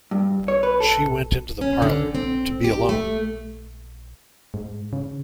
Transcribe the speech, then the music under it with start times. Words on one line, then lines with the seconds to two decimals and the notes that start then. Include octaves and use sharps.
She went into the parlour to be alone.
0.11 G2
0.48 C#5
0.63 B4
0.80 A4
1.61 C#4
1.82 D3
2.15 C4
2.64 G4
2.89 A3
4.54 G#2
4.93 C#3